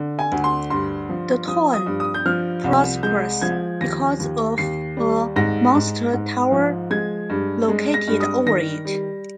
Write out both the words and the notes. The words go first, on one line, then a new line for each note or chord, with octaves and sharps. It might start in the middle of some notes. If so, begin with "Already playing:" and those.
The town prospers because of a Monster Tower located over it.
Already playing: D3
G#5
D2
C6
G2 C6
F3
F3 D#6
D#6
G2
D#6
G6
F3 F6
C2
G#3 G6
F3 G#6
D#2 A#6
D#2
D#2 C7
G3
G#2 A#6
G#2
G#2
F3
G#3 G#6
G2
G#3
A#6
G2
D#6
D#3 A#6
G3